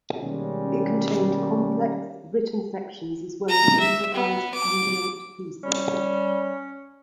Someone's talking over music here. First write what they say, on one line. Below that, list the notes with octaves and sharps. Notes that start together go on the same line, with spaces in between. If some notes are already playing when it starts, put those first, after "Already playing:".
It contained complex written sections as well as improvised ambient pieces.
B2 D#3 G3 G#3 A#3 C#4
A#5
E5
B3
D6
G3 C#4